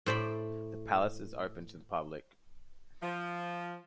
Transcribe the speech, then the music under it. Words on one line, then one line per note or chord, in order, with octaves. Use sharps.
The palace is open to the public.
A2 C5 D5 B5
F3